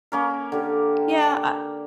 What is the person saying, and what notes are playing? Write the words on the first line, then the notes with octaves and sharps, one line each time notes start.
Yeah I
A#3 C#4 A#4
D3 G4